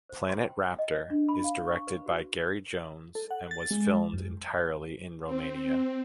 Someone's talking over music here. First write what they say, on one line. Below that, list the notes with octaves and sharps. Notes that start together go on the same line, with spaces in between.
"Planet Raptor" is directed by Gary Jones and was filmed entirely in Romania.
C5
C6
G5
G5
D#5
D4
B5
F5
C#6
B4
F#4
A4
F#5
A6
G#3
F#2
C4